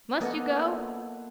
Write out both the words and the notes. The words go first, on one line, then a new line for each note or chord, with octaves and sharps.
Must you go?
A#3 B3 A4 D#5 F#5